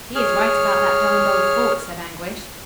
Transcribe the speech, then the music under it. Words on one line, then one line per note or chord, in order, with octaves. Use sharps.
"He is right about that darned old fort," said Anguish.
G#4 C#5 F6